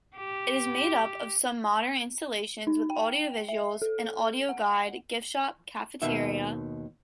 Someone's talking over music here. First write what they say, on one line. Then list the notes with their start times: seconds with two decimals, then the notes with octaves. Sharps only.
It is made up of some modern installations with audiovisuals, an audio-guide, gift shop, cafeteria...
0.17 G4
2.67 D#4
2.90 G5
3.49 E5
3.82 A4
4.49 F#5
6.02 D#2 B2 D#3 E5